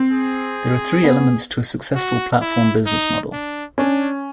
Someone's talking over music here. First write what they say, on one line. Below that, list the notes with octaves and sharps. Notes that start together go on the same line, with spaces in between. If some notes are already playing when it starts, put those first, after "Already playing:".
There are three elements to a successful platform business model.
Already playing: C4
G#4
B3
F#4
E4
D#4
D4
C#4 D4